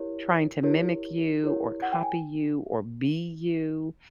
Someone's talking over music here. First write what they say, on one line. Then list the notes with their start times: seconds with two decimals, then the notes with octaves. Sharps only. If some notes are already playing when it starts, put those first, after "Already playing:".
trying to mimic you or copy you or be you,
Already playing: E4 G4 A#4 C#5
0.63 E4 G4 A#4 C#5
1.44 E4 G4 A#4 C#5
1.82 F#5
1.92 G5
2.03 G#5